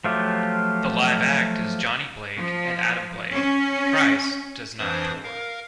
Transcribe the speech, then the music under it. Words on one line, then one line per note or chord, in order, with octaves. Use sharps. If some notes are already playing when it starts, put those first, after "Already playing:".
The live act is Johnny Blake and Adam Blake, Price does not tour.
F3 F#3 A3 F4 G4
F3
C#4
F2 E3 D4 C5 D#6
A#4 F5